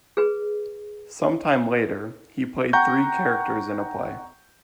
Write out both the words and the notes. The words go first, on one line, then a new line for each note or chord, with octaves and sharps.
Some time later, he played three characters in a play.
G#4 B4
F#5 G5 A#5 C#6 G6